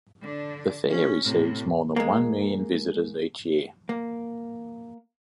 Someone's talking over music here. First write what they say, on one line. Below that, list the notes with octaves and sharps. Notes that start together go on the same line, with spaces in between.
The Fair receives more than one million visitors each year.
D3 D4
C#4
A2 C3
G#3 A#3
A#3